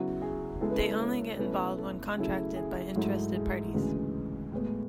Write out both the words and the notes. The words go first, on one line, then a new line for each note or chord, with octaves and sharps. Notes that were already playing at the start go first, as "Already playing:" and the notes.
They only get involved when contracted by interested parties.
Already playing: C#3 F#3 B3 E4 F#4
G#4
C#3 G#3 B3 E4 A4
B4
A4
C#5
B2 A3 C#4 E4 B4
A4
C#3 F#3 A3 E4 G#4
G#4
G#2 F#3 A3 E4 F#4
G#4
D2 C#3 E3 G#3
A2 G#3 B3